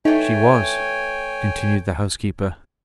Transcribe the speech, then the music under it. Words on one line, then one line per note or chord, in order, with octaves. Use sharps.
'She was,' continued the housekeeper.
E3 A3 D#4 C#5 G5 G#5